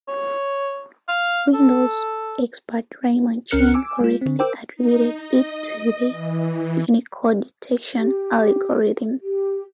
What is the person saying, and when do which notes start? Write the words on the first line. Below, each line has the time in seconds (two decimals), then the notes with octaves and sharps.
Windows expert Raymond Chen correctly attributed it to the Unicode detection algorithm.
0.08 C#5
1.08 F5
1.54 A4
3.51 C#2 C#4 A#4 F6 F#6 C#7
3.74 G#5 D6 E6
4.00 G#3 F4
4.21 D3 C4
4.39 A#4 C5 G5 D6 E6
4.76 D#4
5.17 D#5
6.09 E3
7.97 G4
9.21 G4